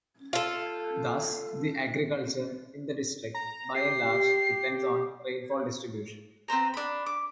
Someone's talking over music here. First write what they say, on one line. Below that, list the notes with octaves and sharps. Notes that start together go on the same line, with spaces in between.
Thus, the Agriculture in the district by and large depends on rainfall distribution.
F4 A4
A#5
G4 C7
C4 B4 C5 A#5
D4 B5
D6